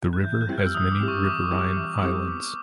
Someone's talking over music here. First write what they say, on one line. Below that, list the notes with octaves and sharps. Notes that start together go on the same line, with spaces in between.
The river has many riverine islands.
F#6
E3 G6
F#6
G3 C4 E4 G4
F6
E6
E3 D#6
D6
G3 C4 E4 G4
C#6
E3 D6
G3 C4 E4 G4
E3
G3 C4 E4 G4
B3 D6